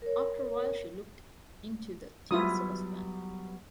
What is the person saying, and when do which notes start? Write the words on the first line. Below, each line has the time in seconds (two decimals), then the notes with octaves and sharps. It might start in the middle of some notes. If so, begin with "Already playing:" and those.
After a while she looked into the tin saucepan.
0.02 A#4 C#5
2.31 F#3 G3 B3 E4 F4 D#6